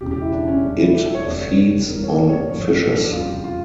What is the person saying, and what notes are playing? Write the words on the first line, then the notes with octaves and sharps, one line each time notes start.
It feeds on fishes.
E1 E2 C#3 G4
G4
E4
D4
D4
C#4
E2 C#3 G3 D4
E4
G4
A4
C#5
F1 E2 D3 G3 D5
C#5
E2 E3 G3 A#4
C#5
D5
C#5
A#4
A1 G2 D3 F3 C#5
D4
D4
F1 E2 C#3 G3 F4
G4
F4